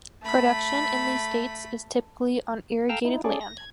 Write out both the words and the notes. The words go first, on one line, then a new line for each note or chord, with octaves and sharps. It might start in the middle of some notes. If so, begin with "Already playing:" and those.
Production in these states is typically on irrigated land.
A3 B5
A4 F5 G5 A#5 E6 F6
D#4 E4
C#4 G#4 A4 D5
A#6
G#6